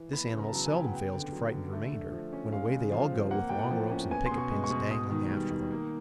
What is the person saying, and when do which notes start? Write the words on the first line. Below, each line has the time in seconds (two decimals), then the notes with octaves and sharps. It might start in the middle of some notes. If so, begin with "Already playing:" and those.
This animal seldom fails to frighten the remainder, when away they all go with long ropes and picket pins dangling after them.
Already playing: E3
0.13 B3 B5
0.33 C#3
0.40 A#5
0.47 A5
0.53 F#3 A#5
0.66 G#5
0.73 C#3 G5
0.86 F#5
0.93 B3 G5
1.13 D3
1.32 F#3
1.52 D3
1.73 A3
1.92 D3
2.12 F3
2.33 C#4
2.52 G#3 F5
2.72 C#3
2.91 F3 F5
3.11 C4
3.31 A#3 F#5
3.49 A2 G5
3.59 F#5
3.71 F3
3.91 C#4
4.11 B3 G#5
4.26 C6
4.31 B2
4.38 C#6
4.51 G#3
4.64 C#6
4.70 B2
4.90 B3 D#6
5.10 D#3
5.30 G3
5.50 D#3
5.71 A#3